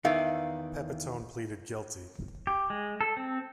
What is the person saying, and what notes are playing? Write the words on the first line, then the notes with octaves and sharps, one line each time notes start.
Pepitone pleaded guilty.
E2 D#3 E3 E5 F5
G4
G#3
A4
C4